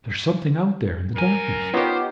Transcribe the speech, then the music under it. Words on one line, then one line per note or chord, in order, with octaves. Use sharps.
"There is something out there in the darkness."
F#2 A#4 G#5
B3 D#4 F4 G4 C5 C#5